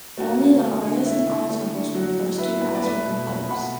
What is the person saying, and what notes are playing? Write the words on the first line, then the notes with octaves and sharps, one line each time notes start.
Only the arias and ensembles from the first two acts were composed.
A3 F#4
D3
A3
D3
A3 E4
D3
A3
D3
F#3 F#4
A2
A2 B4 E5
B3
B4
D5
A3 B4 E5
B2
A3 B5
B2 F#5 B5